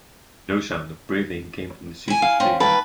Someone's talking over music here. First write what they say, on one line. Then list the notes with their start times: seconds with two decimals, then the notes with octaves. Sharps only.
No sound of breathing came from the seated figure!
2.08 E4 G#5
2.22 F5
2.40 C4 C#4
2.60 D#3 G3 A#3 B4 A5